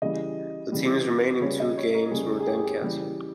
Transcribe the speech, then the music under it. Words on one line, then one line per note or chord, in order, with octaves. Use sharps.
The team's remaining two games were then cancelled.
C#3 E3 G3 D#5
C#3 E3 G3
C#3 G3 C#5
D#5
C#5
A#4
C#3 G3 G#4
G#4
G#4
G4
G#4
G4
C#3 E3 G3 G4